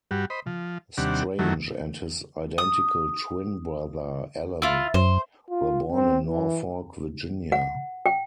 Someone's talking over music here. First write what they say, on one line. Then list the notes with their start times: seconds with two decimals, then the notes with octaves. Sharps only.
Strange and his identical twin brother, Allan, were born in Norfolk, Virginia.
0.11 G2 G3 F#4
0.30 C5 D#5 B5
0.46 F3
0.97 D#2 C3 G3 D4 F#5
1.39 F#2 D#3 E3 F#3 A3
2.58 D#6
4.62 E4 F4
4.94 F#2 C5
5.50 F4
5.91 C4
6.26 E3
7.52 F#5
8.06 G5